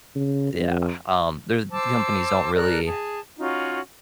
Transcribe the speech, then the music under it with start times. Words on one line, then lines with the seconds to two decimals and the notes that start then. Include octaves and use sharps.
yeah, um, there companies don't really
0.15 C#3
0.54 F2
1.71 C5 A5 D6 E6
2.55 A4 A#4 D5 F#6
2.86 G#4 A5
3.38 C#4 D#4 F4 F#4